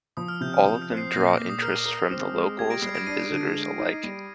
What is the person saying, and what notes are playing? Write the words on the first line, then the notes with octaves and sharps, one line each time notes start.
All of them draw interest from the locals and visitors alike.
F3 D#6
F6
C3 G6
F6
F3 D#6
F6
C4
C7
A#2 A#6
A#2 D6
D#6
A#4 F6
A#4
C4
G#3
G4 G#6
A#6 D7
G3 C7
A#6 D7
D4 C7 D#7
D3
G#3
D#4
G3